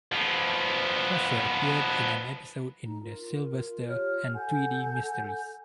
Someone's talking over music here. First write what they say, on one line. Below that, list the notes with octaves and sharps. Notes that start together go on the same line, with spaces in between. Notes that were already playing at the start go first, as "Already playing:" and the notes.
Crusher appeared in an episode in "The Sylvester and Tweety Mysteries".
F3 B3
D#4 A#5
F4 A#4
F4 G4 C#5 F6
A4 F#5 G#5 G6